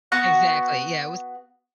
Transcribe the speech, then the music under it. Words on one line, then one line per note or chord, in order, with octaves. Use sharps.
Exactly. Yeah, it was
B3 F#4 C#6 F#6